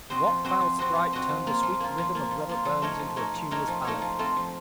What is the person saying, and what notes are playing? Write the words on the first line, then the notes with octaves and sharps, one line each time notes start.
What foul sprite turned the sweet rhythm of Robert Burns into a tuneless ballad?
C4 F#4 C5 D#5
F3
C4 F#4 C5 D#5
F3
C4 F#4 C5 D#5
F3
C4 F#4 C5 D#5
F3
A#3 F4
F3
A#3 F4
F3
A#3 F4
F3
A#3 F4
F3
A3 D#4 A#4 C#5
F3
A3 D#4 A#4 C#5
F3
A3 D#4 A#4 C#5
F3
A3 D#4 A#4 C#5
F3
A3 C4 F4
F3